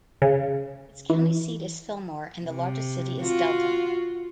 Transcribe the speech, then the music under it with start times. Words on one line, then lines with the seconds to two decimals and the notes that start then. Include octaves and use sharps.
Its county seat is Fillmore, and the largest city is Delta.
0.22 C#3
1.10 E3
2.46 C3
3.21 F4 F#4